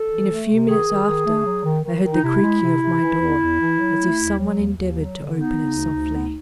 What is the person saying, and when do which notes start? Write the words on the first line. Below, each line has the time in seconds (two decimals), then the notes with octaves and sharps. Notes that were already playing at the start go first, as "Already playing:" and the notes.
In a few minutes after, I heard the creaking of my door, as if some one endeavoured to open it softly.
Already playing: A4
0.09 E3
0.28 A3
0.48 C3
0.67 D#3 G#4
0.88 D#3
1.07 D#3
1.26 A3
1.46 F#3
1.65 D#3
1.84 D#3
2.04 D#3
2.13 D#4
2.23 C3 E4
2.42 G#3
2.62 C3
2.82 C3
3.01 E3
3.21 E2
3.41 E2
3.60 E3
3.79 F#3
3.98 A3
4.18 D#2
4.37 F#3
4.57 D#2
4.76 D#2
4.95 F#3
5.15 D3
5.34 B3 D#4
5.55 C#3
5.74 D2
5.94 D2
6.13 B3